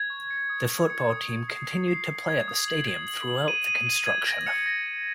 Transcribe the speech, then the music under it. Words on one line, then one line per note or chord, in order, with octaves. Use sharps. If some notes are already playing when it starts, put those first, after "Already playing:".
The football team continued to play at the stadium throughout the construction.
Already playing: G#6
C#6
C#7
D#6
D#6
C#7
D#6
G#6
C7
D#6
C7
C7
G#6
D#6
F#7
G#6
F#7
F#7
D#7
D#7
D#7
G#6
A#6
C#7
A#6
C#7